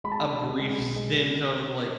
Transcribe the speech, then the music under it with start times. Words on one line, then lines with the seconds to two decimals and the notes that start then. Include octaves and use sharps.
a brief stint of, like,
0.04 G#3 B5
0.12 A5
0.19 D4 B5
0.41 D4
0.60 G#3
0.78 B1
0.96 G#3